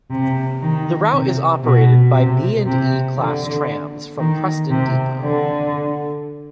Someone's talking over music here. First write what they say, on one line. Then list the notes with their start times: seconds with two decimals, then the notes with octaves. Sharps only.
The route is operated by B and E class trams from Preston depot.
0.10 C3
0.62 D#3
1.13 C3
1.64 B2
2.15 C3
2.66 C3
3.17 D3
4.19 D#3
4.70 C3
5.22 D3